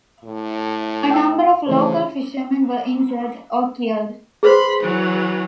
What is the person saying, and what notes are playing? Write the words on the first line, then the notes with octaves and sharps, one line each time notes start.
A number of local fisherman were injured or killed.
A2
G5 E6
C#3 E3 A3 C5
G#4 B4 C5 B5 C6
E3 F#3